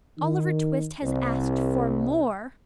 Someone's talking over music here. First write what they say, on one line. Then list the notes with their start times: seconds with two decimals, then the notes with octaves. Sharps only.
Oliver Twist has asked for more!'
0.18 D#3
1.03 C2